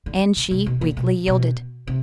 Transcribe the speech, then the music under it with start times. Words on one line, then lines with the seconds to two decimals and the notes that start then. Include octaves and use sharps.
And she weakly yielded.
0.06 D3
0.36 C#3
0.51 C3
0.66 B2
0.81 A#2
0.97 B2
1.28 B2
1.88 C3